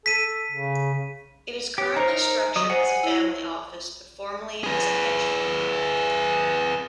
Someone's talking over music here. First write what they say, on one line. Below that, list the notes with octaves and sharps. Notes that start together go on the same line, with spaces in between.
It is currently structured as a family office but formerly as a hedge fund.
A4 B6 D#7
C#3
G4 C#5
D#4 A#4 C5
F#3 D#5
C5 F#5 G#5
E4 C#5
G#4 B4